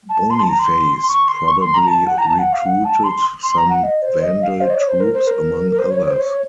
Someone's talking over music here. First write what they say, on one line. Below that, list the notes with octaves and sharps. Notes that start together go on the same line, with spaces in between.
Boniface probably recruited some Vandal troops among others.
A5
C6
A5
A#5
C6
C#6
C6
C#6
C6
A#5
A5
F#5
A#5
A5
F#5
F5
F#5
A5
C6
C6
A#5
F#5
D#5
C5
D#5
F5
C5
D#5
C#5
C5
A#4
C5
A#4
A#4
C5
C#5
C#5
C5
C#5